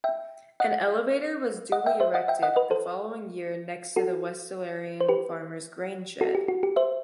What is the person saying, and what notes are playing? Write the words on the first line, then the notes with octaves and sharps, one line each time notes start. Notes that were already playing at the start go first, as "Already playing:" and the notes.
An elevator was duly erected the following year next to the Westralian Farmers grain-shed.
E5 G5
D#5 F#5
D#5 F#5
E5 G5
C5 E5
D#5 F#5
E5 G5
D#5 F#5
B4 D#5
A4 C5
F#4 A4
C5
G4 B4
F#4 A4
G4
F#4
G4
C5 E5